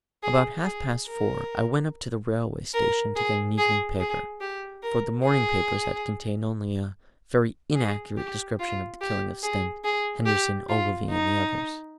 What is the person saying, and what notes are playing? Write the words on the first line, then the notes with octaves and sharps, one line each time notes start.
About half past four I went up to the railway station to get an evening paper, for the morning papers had contained only a very inaccurate description of the killing of Stent, Henderson, Ogilvy, and the others.
G#4
G#4
A#4
A#4
G#4
G#4
G#4
G4
A#4
G#4
G#4
G4
F4
G4
G#4
G#4
G4
F4
D#4